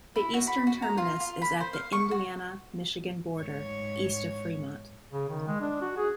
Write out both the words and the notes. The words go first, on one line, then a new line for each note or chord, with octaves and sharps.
The eastern terminus is at the Indiana-Michigan border, east of Fremont.
E4
F#4
B5
F#4
A#5
F4
F4
B5
C5
F5
C#6
F#4
G#2 C#5
C#3
D#3
G#3
D4
F#4
G#4